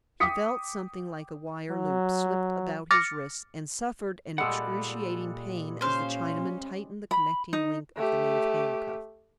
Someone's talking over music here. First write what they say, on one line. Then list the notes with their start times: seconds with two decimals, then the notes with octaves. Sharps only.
He felt something like a wire loop slipped about his wrists, and suffered an excruciating pain as the Chinaman tightened the connecting link of the native handcuff.
0.20 G5 D6 D#6 B6 C#7
1.71 F#3
2.91 D6 F6 A6 A#6 C#7
4.38 A#2 G3 G#3 A4 F#5
5.81 C#4 C5 F5
7.11 B5
7.53 D#4
7.96 A3 G4